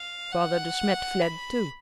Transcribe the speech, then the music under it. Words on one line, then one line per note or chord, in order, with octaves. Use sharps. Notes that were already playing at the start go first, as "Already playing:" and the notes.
Father De Smet fled, too.
Already playing: F5
F#5
B5